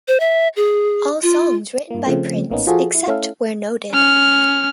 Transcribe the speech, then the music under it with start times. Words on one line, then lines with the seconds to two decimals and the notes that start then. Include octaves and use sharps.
All songs written by Prince except where noted.
0.08 C5
0.20 E5
0.56 G#4
1.23 F4
1.90 G2 A#3
2.05 C#3 F3 A3 C4
2.50 A#1 A2 A#3 B3 C#4 D#4
2.67 F3 F4 F#4 G#4 A4
2.95 E4
3.07 A3 C#4 E4 A4 F5
3.92 C#4 F6